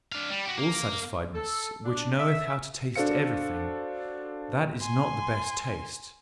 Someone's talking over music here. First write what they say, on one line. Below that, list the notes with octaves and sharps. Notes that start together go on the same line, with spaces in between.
All-satisfiedness, which knoweth how to taste everything,--that is not the best taste!
D4 F5
G3
F#4 G4
A#3
A4
D4
E5
D4 F#4 A4 C5 F5 C#7
G#5 C6